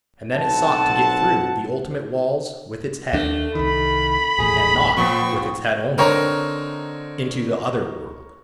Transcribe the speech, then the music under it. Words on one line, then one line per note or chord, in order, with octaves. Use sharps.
And then it sought to get through the ultimate walls with its head--and not with its head only--into "the other world."
B1 C4 F#5 A5
D#2 A3 D4
C2 D#3 B5
D#1 A1 A2 G#4
A#2 F3 B3 C4 C#6
D3 C4 D#4 A#4 C#5 A#5